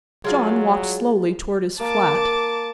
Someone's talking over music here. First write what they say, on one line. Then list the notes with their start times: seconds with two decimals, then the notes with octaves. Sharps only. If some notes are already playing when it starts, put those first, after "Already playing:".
John walked slowly toward his flat.
0.24 F#3 G#3 F4 D5
1.80 A#3 A5 D6